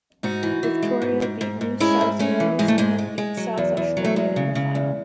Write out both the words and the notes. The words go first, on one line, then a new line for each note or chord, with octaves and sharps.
Victoria beat New South Wales and then beat South Australia in the final.
G#2 D#4 F#4
E3
E3
G#3
G#2
G#2
G#2
G#2
G#3 C#4 E4
G#2
G#3 A3 C#4
E3
G#2 G#3
A3
G#2 G#3
G#3
G#3
F#3
E2
E2
F#3
A3
E2 G#3
C#3
C#3
E2